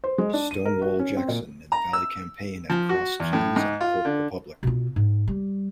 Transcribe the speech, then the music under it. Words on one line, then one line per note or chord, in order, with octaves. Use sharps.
"Stonewall" Jackson in the Valley Campaign at Cross Keys and Port Republic.
C5
G#3
D4
D#7
A#4
F#4
C#4
C4
A#2
A#5
E6
F3
F#4
E2
A2
G#2
F4
D3
B2 F4
G#2
G3